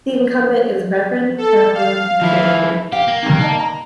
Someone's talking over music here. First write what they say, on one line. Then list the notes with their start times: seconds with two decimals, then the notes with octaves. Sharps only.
The incumbent is Reverend Carolyn Kennedy.
1.38 A4
1.74 F5
2.22 F3 E4
2.92 G4 F5 G5
3.07 A#3
3.23 G2 D#3
3.41 D#5 A5
3.60 A#5